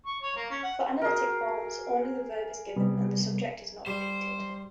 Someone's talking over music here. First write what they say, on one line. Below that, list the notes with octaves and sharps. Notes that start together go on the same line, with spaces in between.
For analytic forms, only the verb is given and the subject is not repeated.
C#6
C#5
A#3
C#4
F#5
F#4 G#4 A#4
C3 G3 B3
G3 C5